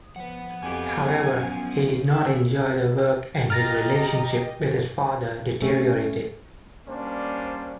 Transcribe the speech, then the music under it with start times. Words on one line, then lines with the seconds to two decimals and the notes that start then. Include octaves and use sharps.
However, he did not enjoy the work and his relationship with his father deteriorated.
0.16 F3 B3 F#5
0.62 F2 G4 F5 G#5
1.02 F3 F#3 B3 C#4
2.10 D#2 E5 E6
3.50 G4 D#5 A#5 F6 A6 A#6
5.62 A3 C#4
6.88 G3 A#3 C#4 D4 C5 D5